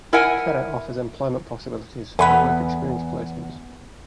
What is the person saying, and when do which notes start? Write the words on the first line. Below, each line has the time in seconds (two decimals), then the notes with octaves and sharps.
Cadw offers employment possibilities and work experience placements.
0.13 E4 A#4 E5 F#5 G#5
2.19 E2 B3 A4 G#5 B5